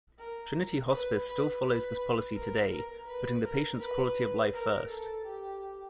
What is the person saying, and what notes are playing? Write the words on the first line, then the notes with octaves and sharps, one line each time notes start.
Trinity Hospice still follows this policy today, putting the patient's quality of life first.
A#4
B4
B4
B4
A#4
A#4
B4
A#4
B4
A#4
A4
G4